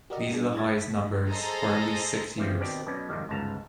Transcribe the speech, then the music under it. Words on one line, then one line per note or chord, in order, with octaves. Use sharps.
These are the highest numbers for at least six years.
F#4 G4 A#4 D5 D#5
G3 D4 G#4
E4 G#6 A6
B6
G#4 A4 C5 D#5 A#5
E3 F3 G3 C4
B2 D#3 C4 G4 D5
B1 B2 C#4 D5
F2 G#2 C3 D#3 G3
G1 C#2 G#2 A5 A#5